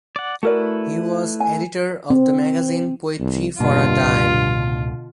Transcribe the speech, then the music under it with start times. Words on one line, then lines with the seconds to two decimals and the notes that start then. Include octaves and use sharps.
He was editor of the magazine "Poetry for a Dime".
0.16 D5 F#5
0.43 A3 E4 F#4 A#4 B4 D5
1.40 G#5
2.10 C4
3.19 C2
3.60 E1 G2 B2 D3 A#3 F4
4.03 C#2 A2